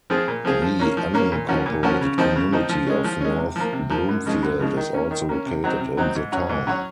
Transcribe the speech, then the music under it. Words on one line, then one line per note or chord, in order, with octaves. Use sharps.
The unincorporated community of North Bloomfield is also located in the town.
F3 C4 F4 G#4
A#2
F3 C4 F4 G#4
F3
A#3 C#4
F3
A#3 C#4
A#2
F3 A#3 C#4 F#4
A#2
F3 A#3 C#4 F#4
C#3
F3 C4 D#4
C#3
F3 C4 D#4
F3
G#3 C#4
F3
G#3 C#4
C3
F3 A#3
C3
F3 A#3
F#2
C#3 F3 G#3
F#2
C#3 F3 G#3
D#3
A#3 C#4
D#3
A#3 C#4
C3
F#3 C4 D#4
C3
F#3 C4 D#4
G#2
F#3 C#4 F#4 C#5
G#2
F#3 C#4 F#4 C#5